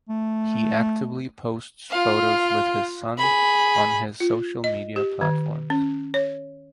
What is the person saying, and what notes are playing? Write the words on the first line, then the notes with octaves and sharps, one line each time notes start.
He actively posts photos with his son on his social media platforms.
A3
F4 F5
G#4 B5
F4
D#5
G4
D#3
C#4
C#5